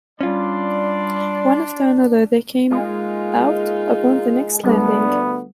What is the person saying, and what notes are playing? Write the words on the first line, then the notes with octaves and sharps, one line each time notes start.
One after another they came out upon the next landing.
G3 C#4 D4 F4 D5 C6
G#3 A#3 D#4 F4
D2 G3 B3 D4 G#4